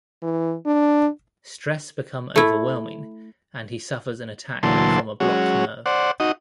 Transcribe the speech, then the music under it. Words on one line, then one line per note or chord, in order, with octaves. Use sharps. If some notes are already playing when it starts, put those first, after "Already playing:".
Stress become overwhelming and he suffers an attack from a blocked nerve.
E3
D4
A3 E4
D2 A#2 E3 F#3 A5 C6
F#3 G#3 C#4 F#4
C5 D5 F#5
D#4 F#4 D#5